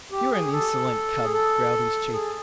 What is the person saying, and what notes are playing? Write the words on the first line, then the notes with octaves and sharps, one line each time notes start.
"You are an insolent cub," growled his Chief.
G4
G#4
A4
G#4
A4
G#4